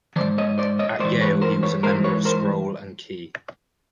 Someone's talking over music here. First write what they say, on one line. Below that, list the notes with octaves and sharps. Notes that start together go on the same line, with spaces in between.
At Yale he was a member of Scroll and Key.
E3 C5 D5
G#2
C#5 D#5
C5 D5
C#5 D#5
G#2 E3 C5 D5
B4 C#5
A#4 C5
B4 C#5
G#2 E3 A#4 C5
B4 C#5
A#4 C5